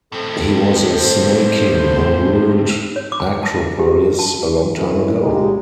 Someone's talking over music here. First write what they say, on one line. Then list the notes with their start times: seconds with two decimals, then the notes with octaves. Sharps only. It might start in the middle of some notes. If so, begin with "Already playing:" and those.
He was a snake king who ruled Acropolis a long time ago.
0.12 A2 C4 A4
0.96 C5
2.96 C#5
3.12 D6
3.43 A5
3.79 G4
4.19 A5
4.77 C#4 D#4 E4 A4 B4
5.21 G3 G#3 D#4 F4 G4